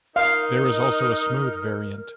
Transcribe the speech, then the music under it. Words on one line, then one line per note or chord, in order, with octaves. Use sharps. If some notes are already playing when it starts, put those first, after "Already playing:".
There is also a 'smooth' variant.
D#4 A#4 F5